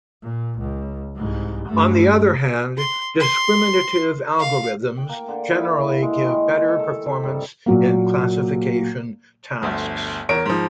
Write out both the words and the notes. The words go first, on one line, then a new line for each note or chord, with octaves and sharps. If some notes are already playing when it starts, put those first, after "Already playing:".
On the other hand, discriminative algorithms generally give better performance in classification tasks.
A#2
C#2
C2 G#2
G2 A3
C6
C6
F5
G5
A#3
D3
E4
G#3
D#3
A4
A4
C3
G2
A#2 F#3 A#3
G1 D2
E2 A#4 C#5 D7
G#2 F3